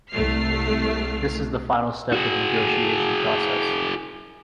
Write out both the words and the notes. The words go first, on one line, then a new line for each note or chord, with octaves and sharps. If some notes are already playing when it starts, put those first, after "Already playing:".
This is the final step of negotiation process.
C2 A3 F6 C7
F#4 G#4